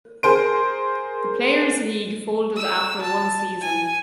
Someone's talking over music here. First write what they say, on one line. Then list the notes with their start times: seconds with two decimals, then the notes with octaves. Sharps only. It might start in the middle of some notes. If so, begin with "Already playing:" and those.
The Players' League folded after one season.
0.23 G#4 A#4 C5 D7
2.56 E6
3.02 A5
3.61 G#5